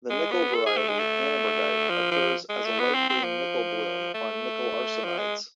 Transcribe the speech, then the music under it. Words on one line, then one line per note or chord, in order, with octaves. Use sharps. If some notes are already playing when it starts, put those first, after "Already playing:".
The nickel variety, annabergite, occurs as a light green "nickel bloom" on nickel arsenides.
G#3
B3
A4
G#4
A3
G#3
A3
F3
F3
G#3
A3
B3
C4
C4
F3
A3
F3
G#3